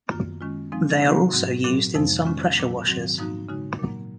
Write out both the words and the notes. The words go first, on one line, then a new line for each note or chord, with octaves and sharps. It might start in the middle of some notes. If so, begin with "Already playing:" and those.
They are also used in some pressure washers.
F#2 D#3 A#3 F4
D#3 G#3 C#4 F4
F3 G#3 C4 D#4
C3 D#3 A#3 D#4 F#4
G#2 F#3 C4 F#4
A#2 F#3 C4 F#4
F2 C3 F3 G#3 D#4
D#3 G#3 C#4 F4
A#2 F#3 A#3
G#2 D#3 F#3 C4 F#4
G#2 F3 A#3 D#4 F#4
C#3 G#3 D#4 F#4
A#2 F#3 A#3